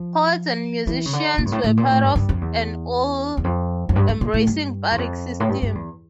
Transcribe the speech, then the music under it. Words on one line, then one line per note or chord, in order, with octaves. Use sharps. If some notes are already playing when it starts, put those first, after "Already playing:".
The poets and musicians were part of an all-embracing bardic system.
Already playing: F3
E3
C#3
D3
A#2
G2
A2
A2
A#2
A2
G2
G2
F2
E2
E2
F2
F2
G2
G2
A#2
A2
G2
E2
F2
A2
G2
G2
E2